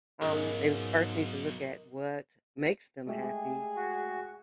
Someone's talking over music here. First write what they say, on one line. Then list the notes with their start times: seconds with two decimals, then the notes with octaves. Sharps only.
Um, they first need to look at what makes them happy
0.22 B1 G#2 C#4 G#4 A#4 D#5
3.07 G#3 A3 G4 G#4
3.76 F#4